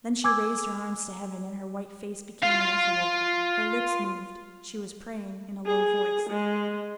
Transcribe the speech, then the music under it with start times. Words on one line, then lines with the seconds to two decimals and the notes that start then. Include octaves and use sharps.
Then she raised her arms to heaven, and her white face became ineffable; her lips moved; she was praying in a low voice.
0.24 G#5 D6 E6 G#6
2.43 F4 F5
5.66 G#4
6.30 G#3